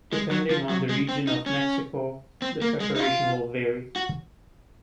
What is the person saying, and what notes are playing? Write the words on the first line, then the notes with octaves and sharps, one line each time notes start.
Depending on the region of Mexico, the preparation will vary.
G#3
F#3
F3
F#3
G#3
C4
D#4
C#4
C4
A#3
G#3
D#4
F4
F#4